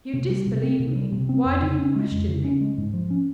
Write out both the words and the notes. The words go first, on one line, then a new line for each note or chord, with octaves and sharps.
"If you disbelieve me, why do you question me?"
C3
G3
C3
C4
C3
G3
C3
C4
F2
C#3
C#4
G#3
F2
C#3
C#4
G#3
G#2
F3
C#4